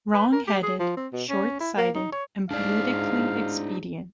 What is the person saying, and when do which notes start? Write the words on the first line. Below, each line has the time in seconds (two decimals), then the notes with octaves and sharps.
Wrongheaded, shortsighted, and politically expedient.
0.14 B4
0.32 A#4
0.48 G4
0.63 G#4
0.80 F3
0.97 C4
1.13 B2
1.29 C#4
1.60 E4
1.77 A#3
1.95 D#4
2.12 C#5
2.51 G#2 D4 E4 D5 F5